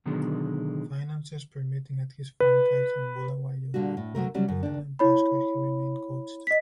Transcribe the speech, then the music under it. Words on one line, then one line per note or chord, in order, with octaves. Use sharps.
Finances permitting at his franchise in Bulawayo, the Matabeleland Tuskers, he remained coach there.
B2 D3 D#3 F#3 G#3
B4
A#2 D3 G3 F#4
A2
D2 F#3 A3 A#4
F#3 G3 C#4
F#2
D#2 D4
E4 C#5 B5
D#5 B6